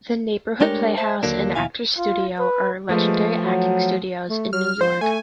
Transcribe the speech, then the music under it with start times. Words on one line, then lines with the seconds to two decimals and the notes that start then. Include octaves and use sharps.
The Neighborhood Playhouse and Actors Studio are legendary acting studios in New York.
0.61 G#3 A3 D4 G4 A#4 C#5
0.97 C5 E5 A5
1.23 D#2 A#2 D3 F#3 A#3 D4
1.55 D#2 B2 E4 F5 G#5
1.98 F4
2.39 B4
2.89 F3 G#3 A3 B4
3.43 F#3
4.30 A3
4.53 F#3 F6
4.81 F3 C5
5.01 A3 G#5